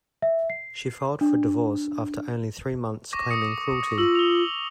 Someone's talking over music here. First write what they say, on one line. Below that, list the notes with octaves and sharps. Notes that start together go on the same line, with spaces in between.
She filed for divorce after only three months claiming cruelty.
E5
C7
D4
C#6 D6 A#6
D#6 C#7
F4 E6 F#7
F7 G7